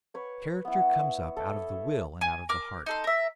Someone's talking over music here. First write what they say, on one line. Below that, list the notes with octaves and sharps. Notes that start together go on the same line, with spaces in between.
Character comes up out of the will and out of the heart.
B4 C#5 C#6
B3 E4
A4 C#5 E5
G#5
A#4 D6 F6
D#4 A4 C6
A#4 E5